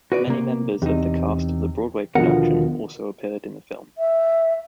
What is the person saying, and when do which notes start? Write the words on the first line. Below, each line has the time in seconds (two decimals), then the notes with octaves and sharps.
Many members of the cast of the Broadway production also appeared in the film.
0.12 F#4 B4 D5
0.27 C3 A#3
0.82 E2 C3 D#4
2.15 D#2 B2 D3 F3 A#4 F#5
3.98 E5